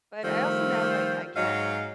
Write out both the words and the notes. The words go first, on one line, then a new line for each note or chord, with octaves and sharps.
but I also know, like, I can't
D#3 F3 G3 A3
G#2 F#3 D#5 F5